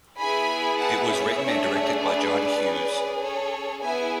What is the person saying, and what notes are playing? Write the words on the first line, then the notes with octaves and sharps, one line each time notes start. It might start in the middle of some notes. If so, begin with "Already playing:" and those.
It was written and directed by John Hughes.
B3 E4 G#4 G#5 B5
F#5 A5
C#5 E5
A3 D4 G#4
B4 D5
C#4 G#4
A4 C#5
B3 E4 G#4 E5 G#5